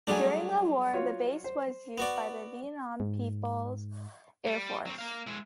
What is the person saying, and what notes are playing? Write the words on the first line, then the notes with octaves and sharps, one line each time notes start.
During the war the base was used by the Vietnam People's Air Force.
F#3 G3 A3 D4 G#4 G#5
F4 F#4 C#5
C5
B3 F#4 D5
G#2
G3
F#3 C4
A#3 F5
G#3 E4